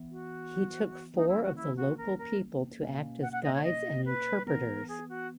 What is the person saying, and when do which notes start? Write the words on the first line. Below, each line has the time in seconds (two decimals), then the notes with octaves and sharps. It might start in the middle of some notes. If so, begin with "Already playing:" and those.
He took four of the local people to act as guides and interpreters.
Already playing: E3 B3
0.11 F#4
1.14 E3 A#3 C#4 D#4
1.28 E4
1.43 F#4
1.56 E4
1.76 F#4
1.97 A#4
2.18 A#4
2.81 B2 A#3 C#4
3.22 F#5
3.32 F#5
3.43 D#5
3.54 C#5
3.63 D#5
4.05 B4
4.46 E3 B3 A#4
4.88 G#4
5.09 F#4